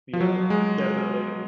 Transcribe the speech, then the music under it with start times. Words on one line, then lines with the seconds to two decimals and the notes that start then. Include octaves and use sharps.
Yeah. Definitely.
0.13 F3
0.21 F#3
0.50 G#3